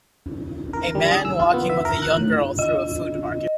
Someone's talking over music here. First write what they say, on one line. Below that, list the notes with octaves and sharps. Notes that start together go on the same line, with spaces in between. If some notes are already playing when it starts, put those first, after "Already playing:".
A man walking with a young girl through a food market.
A#4
G3
G#4
E6
F4
B3
E5
A#4
F#6
A2
D#5